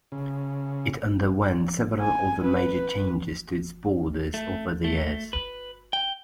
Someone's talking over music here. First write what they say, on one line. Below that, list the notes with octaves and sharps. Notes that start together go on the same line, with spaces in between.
It underwent several other major changes to its borders over the years.
C#3
G#5
B4
A3
A3
B4
G5